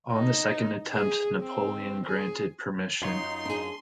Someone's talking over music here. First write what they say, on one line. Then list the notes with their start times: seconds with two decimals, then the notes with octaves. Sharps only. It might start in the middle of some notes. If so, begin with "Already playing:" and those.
On the second attempt, Napoleon granted permission.
0.12 D#4
0.91 G#4
1.41 C4
2.05 G#4
3.02 F#2 D#4 F4 C#5 C6
3.45 D4 G#4